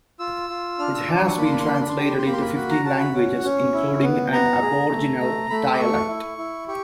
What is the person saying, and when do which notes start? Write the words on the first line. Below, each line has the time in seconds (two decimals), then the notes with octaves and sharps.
It has been translated into fifteen languages including an aboriginal dialect.
0.19 F4 E6
0.50 F4
0.79 D4 F6
0.94 E6
1.08 D4 D6
1.16 C6
1.23 C#6
1.37 A#3 B5
1.45 C6
1.52 B5
1.60 C6
1.67 D4 B5
1.74 C6
1.81 B5
1.89 C6
1.97 G4 B5
2.05 C6
2.11 B5
2.18 C6
2.26 A#3 B5
2.33 C6
2.42 B5
2.55 F#4 B5
2.70 A#5
2.85 F#4 A5
2.99 B5
3.14 C#4
3.44 C#4
3.73 E4
4.02 B3
4.32 B3 A#5
4.62 G#4
4.90 A3
5.20 A3
5.50 A3 B5
5.74 D6
5.79 A3 C#6
6.09 E4
6.38 E4
6.68 G4 C#6